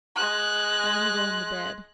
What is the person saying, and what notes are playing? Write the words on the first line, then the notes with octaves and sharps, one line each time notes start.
"I'm going to bed."
G#3 F#6